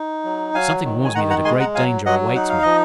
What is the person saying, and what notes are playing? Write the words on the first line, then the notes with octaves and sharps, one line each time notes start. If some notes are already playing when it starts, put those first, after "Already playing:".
"Something warns me that a great danger awaits me."
Already playing: D#4
F#3
F#3 F5 G#5
D#3
G#5
D#3 F#5 A#5
F#5 A#5
G#3 G#5 C6
F#5 A#5
F#3 F5 G#5
F#3 D#5 F#5
D#4 F#5
F5
F3 D#5